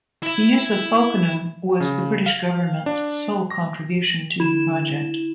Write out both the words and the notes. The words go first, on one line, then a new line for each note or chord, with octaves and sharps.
The use of Folkingham was the British Government's sole contribution to the project.
E4 E5
C#3
F5
D4
A#6
D3 E4 E7